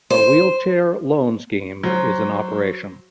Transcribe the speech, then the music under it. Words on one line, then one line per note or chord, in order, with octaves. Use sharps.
A wheelchair loan scheme is in operation.
C5
F#3 C5